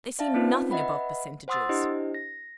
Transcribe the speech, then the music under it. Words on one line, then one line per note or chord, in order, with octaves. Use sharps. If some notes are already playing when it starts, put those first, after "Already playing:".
They see nothing above percentages.'
D5 E5 F5 A5
C4 C#4 D#4 F4 B4 C5
B4 D#5 E5 F#5 B5
C5 F#5 C6 D#6 E6 A6
D4 E4 G4 C5 D#5
A#6